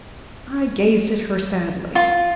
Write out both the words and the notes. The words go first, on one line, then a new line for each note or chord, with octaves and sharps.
I gazed at her sadly.
F4